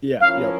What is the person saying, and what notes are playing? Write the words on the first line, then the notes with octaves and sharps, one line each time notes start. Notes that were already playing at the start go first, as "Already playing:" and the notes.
Yeah, yep.
F3 C#4 E4 A#4 F5